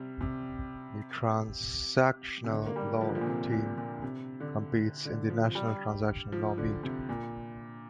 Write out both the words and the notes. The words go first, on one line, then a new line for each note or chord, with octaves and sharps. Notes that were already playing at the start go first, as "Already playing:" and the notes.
The Transactional Law Team competes in the National Transactional Law Meet.
Already playing: C3 G3
C3
C3
D3
A#3
G3
F3
D3
F3
A#2
C3
A#2
A#2
C3
D3
D3
F3
G3
F3
D3
C3
A#2